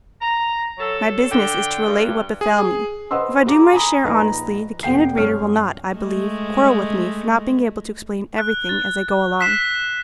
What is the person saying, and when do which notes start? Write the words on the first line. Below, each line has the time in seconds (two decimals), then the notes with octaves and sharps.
My business is to relate what befell me; if I do my share honestly the candid reader will not, I believe, quarrel with me for not being able to explain everything as I go along.
0.21 A#5
0.78 F#3 A4
1.30 D3 G5
1.86 G2
2.41 G#4
3.11 B4 C5 D#5 F#5 C6 E6
3.46 F#4 G#4 A#5 D6
3.73 G#5 A#5 B5 D#6
4.04 A#1 D#4 B4 A#5
4.83 F1 B3 G5 C7
5.18 G2 C#5 F6
5.94 G#3 A3
8.38 F#6
8.69 A6
9.39 E6 F#6 B6 C7 E7